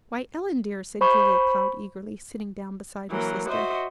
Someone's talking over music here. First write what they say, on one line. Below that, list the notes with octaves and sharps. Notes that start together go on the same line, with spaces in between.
"Why, Ellen, dear!" said Julia Cloud eagerly, sitting down beside her sister.
C5 B5 C#6
E3 F#3 A#3 A#4
F#4 C5 D#5 E5